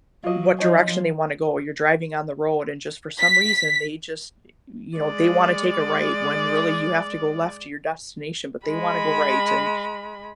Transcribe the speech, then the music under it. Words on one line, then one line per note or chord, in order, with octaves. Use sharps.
what direction they wanna go. You're driving on the road, and just for some reason, they just, eh you know, they wanna take a right when really you have to go left to your destination, but they wanna go right and
F#3 F4 D#5
F3 D#4 C#5 G#5
B6
G#3 D5
G#3 B5